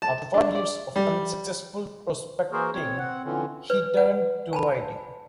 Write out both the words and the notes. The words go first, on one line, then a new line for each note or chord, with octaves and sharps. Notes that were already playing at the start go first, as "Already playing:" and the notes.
After five years of unsuccessful prospecting, he turned to writing.
A5
D4
D5
G3
E3 A#3 F#4 G#4 A#4 C5
C4 C#5
C4 F#5
D3 E3 F3 C4 C#4
B4
B4 F#5
G#5 A5 B5